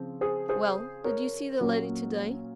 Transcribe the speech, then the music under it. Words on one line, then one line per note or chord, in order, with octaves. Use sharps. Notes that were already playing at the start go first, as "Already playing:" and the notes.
Well, did you see the lady to-day?
Already playing: C#3 F3 C4
G#4 C5
G#4 C5
A#4 C#5
A#2 F#3 A#3 C#4